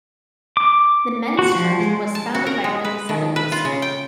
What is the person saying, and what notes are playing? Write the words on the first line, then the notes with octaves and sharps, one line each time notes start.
The Mentz Church was founded by early settlers.
D6
F#4
F3
G#3
A5
F#4
A#4
G#3
B4
D#3
B4
F4
C#3
G5